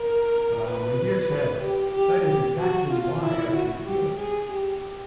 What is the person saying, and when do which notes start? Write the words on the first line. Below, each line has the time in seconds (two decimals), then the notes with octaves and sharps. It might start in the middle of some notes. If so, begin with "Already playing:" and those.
Ah, my dear Ted, that is exactly why I can feel it.
Already playing: A#4
0.66 B4
1.62 G4
1.95 G4
2.26 G4
2.59 F#4
2.90 F4
3.23 E4
3.56 F#4
3.87 G4
4.19 G#4
4.52 G4